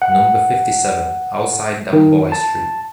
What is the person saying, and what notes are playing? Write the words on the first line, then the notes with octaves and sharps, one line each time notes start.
Number fifty-seven, Alcide Damboise street.
F#5
D#3
A5